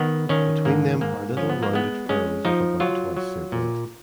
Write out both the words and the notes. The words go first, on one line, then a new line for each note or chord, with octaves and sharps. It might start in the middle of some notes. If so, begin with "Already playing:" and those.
Between them are little rounded furrows of about twice their breadth.
Already playing: D#3 B3
D#3 C#4
G#2 A#3
G#2 A#3
F3 C#4
B3
A#3
G#3 B3
G#3 C#4
F3 D#4
F#3 F4
F#3
A#2